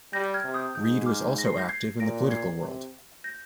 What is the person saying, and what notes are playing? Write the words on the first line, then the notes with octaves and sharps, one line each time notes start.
Reed was also active in the political world.
G3 G6 A#6
F6 G#6
C3
D#6 G6
G#2 D#6 G6
D6 F6
A#6
C7
G6 A#6
G#6 C7
A#2 A#6 D7
G#6 C7
C3
G6 A#6